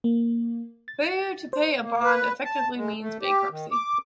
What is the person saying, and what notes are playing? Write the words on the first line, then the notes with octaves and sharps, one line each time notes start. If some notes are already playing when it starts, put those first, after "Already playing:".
Failure to pay a bond effectively means bankruptcy.
A#3
A6
C5
A#3
B4
A5
G#3
A3
G4
D#3
D6